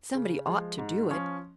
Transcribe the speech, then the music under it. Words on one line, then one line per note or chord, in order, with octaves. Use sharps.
Somebody ought to do it.
C#3
F3 G#3
G#2
F3 C#4